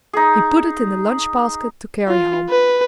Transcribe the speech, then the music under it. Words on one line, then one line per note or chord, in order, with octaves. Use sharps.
He put it in the lunch-basket to carry home.
D#4 G#4
F4
B4